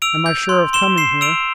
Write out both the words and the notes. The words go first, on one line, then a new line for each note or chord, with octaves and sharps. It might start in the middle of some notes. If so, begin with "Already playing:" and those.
"Am I sure of coming here?"
E6 D7 F7
G6
C6
C6 E7 G7
C6 C7 E7
E6 D7 F7